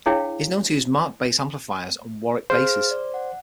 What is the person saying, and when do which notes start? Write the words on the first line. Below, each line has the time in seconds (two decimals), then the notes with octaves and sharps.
He is known to use Markbass amplifiers and Warwick basses.
0.06 D4 E4 G#4 C#5 F5 G5
2.50 G#4 C5 F5 F6
2.91 D5
3.14 F#5